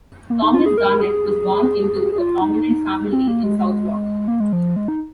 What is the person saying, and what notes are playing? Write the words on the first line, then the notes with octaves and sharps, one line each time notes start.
Thomas Garnet was born into a prominent family in Southwark.
A#3
D#4
F4
G#4
A#4
G#4
G#4
F4
D#4
C4
A#3
G#3
G#3
A#3
G#3
F3
G#3
D#4